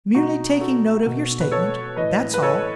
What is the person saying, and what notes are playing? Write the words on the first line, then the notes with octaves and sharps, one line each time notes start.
'Merely taking note of your statement, that's all.
B2 D#4 F#4
F#4 A4
B2
B4
A4 C#5
A2 E3 B4 D#5
B4
A4 C#5